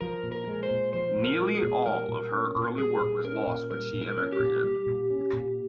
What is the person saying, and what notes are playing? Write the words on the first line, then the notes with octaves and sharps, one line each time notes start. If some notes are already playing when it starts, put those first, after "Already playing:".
Nearly all of her early work was lost when she immigrated.
F3 A#4
A#2
A#4
G#3
C5
A#2
F3 C5
A#2
A#4
G#3
G#4
A#2
G3 A#4
A#2
C#4
A#2
G3 G#4
A#2
C#4 A#4
A#2
G3 A#4
A#2
A#4
C#4
G4
A#2
G3
A#2
C#4
A#2